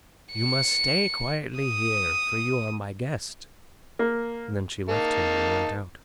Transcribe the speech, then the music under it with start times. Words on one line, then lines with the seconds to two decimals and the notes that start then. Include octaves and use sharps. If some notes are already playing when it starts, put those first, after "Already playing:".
"You must stay quietly here, for you are my guest." Then she left him and went out.
0.34 C#7
1.59 D#6
3.99 A#3
4.89 A#3 D#4 A5